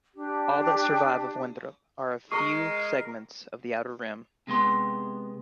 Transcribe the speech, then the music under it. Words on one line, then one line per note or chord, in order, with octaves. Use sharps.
All that survives of Winthrop are a few segments of the outer rim.
D4 G4
G#3 A#4 A#5 C#6 C7
C3 G#3 B3 C6